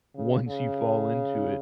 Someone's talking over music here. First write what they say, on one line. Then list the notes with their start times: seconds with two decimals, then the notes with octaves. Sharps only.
once you fall into it,
0.15 C#3
0.48 C#3